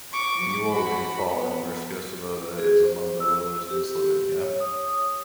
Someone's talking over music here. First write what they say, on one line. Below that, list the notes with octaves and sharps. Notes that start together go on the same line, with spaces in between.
Annual rainfall in Murska Sobota is among the lowest in Slovenia.
C#6 D6
F#4 B5
B3
G#4
C5
E6
G4
C#5
D#6